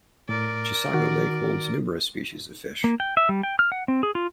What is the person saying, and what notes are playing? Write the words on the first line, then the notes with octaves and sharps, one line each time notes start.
Chisago Lake holds numerous species of fish.
A2 A#4 D5
D#3 F#4
A#3
G5
E5
G3
G5
F6
F#5
C4
G#4
F4